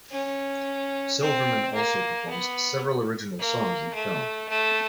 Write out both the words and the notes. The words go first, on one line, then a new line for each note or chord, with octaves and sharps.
Silverman also performs several original songs in the film.
C#4
C4
A#3
B3
A#3
A3
A3